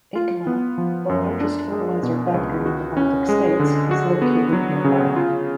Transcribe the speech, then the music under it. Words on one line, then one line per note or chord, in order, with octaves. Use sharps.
"Achema", the largest fertilizer factory in the Baltic states, is located nearby.
F4
B3
F3
F#2
D4
G#3
B2
C#2
F#4
C#4
G#3
D3
F#4
B3
F#3
C#3
F4